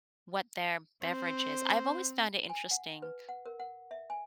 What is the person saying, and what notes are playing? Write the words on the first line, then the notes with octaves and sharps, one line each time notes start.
what their beverage is. I've always found it interesting,
C4 C5
G#5
F#5
B4
F#5
A#4
F#5
E5
G#5